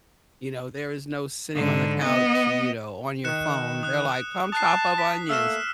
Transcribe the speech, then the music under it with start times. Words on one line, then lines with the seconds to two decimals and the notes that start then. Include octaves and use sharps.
You know there is no sitting on the couch you know on your phone. They're like, "Come chop up onions,
1.56 G#2 D3
2.03 B3 D#5
3.25 D#3 F#6 C#7 E7
3.83 D#6 F#6
4.52 A5 D#6 F#6 C7
4.98 B6
5.29 A3 A#3 E6 F6 E7